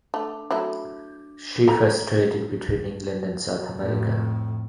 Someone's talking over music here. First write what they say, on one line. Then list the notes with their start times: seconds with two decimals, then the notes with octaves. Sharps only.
She first traded between England and South America.
0.14 A3 D4
0.51 F#3 A3 E4
1.68 A4 A#5
3.76 F2 A2